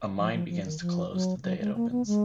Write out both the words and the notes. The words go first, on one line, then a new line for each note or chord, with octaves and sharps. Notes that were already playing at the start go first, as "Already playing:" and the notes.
A mine begins to close the day it opens.
F3
F3
F3
D#3
F3
F#3
F#3
G#3
A#3
B3
G#3